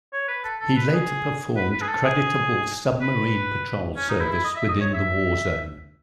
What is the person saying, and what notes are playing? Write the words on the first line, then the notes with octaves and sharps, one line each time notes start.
He later performed creditable submarine patrol service within the war zone.
C#5
B4
A4
A4
B4
G#4
B4
B4
G#4
A4
G#4
B4
C#4
D#4
E4
E4
D#5
E5
D#5
C#5
E5